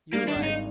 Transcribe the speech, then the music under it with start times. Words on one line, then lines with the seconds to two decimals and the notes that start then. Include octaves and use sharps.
You're right.
0.13 G2 A#3
0.28 D4
0.35 G#1
0.43 D#4